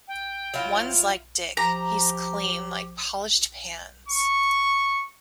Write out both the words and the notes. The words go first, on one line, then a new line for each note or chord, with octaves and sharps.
One's like Dick: he's clean like polished pans.
G5
F#3 E4 F4
F3 G4 A#5
C#6